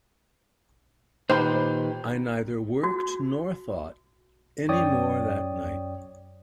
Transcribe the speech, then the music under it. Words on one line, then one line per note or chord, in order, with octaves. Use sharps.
I neither worked nor thought any more that night.
A#2 D#3 D#4 G4 B4 C5
F#4
F#2 C#5 D5 G5 D#6